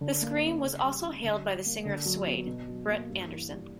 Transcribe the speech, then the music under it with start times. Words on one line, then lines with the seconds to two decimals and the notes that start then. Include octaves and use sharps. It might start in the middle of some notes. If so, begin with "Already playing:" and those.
"The Scream" was also hailed by the singer of Suede, Brett Anderson.
0.01 D3
0.22 A#3
0.42 C#4
0.62 C#3
0.84 G3
1.04 C#4
1.24 D3
1.45 G3
1.65 A#3
1.85 D3
2.05 F#3
2.26 B3
2.46 B2
2.68 F#3
2.88 A#3
3.08 G2
3.29 E3
3.49 G3